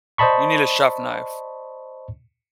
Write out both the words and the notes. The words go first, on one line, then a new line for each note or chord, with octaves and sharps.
You need a chef knife.
C5 D5 D#5 A5 B5 C#6